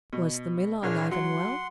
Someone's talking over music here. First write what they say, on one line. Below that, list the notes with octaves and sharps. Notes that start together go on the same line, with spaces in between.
Was the miller alive and well?
B2
A#1 D4 G#4 C#5 F6
F#3 F#5 C6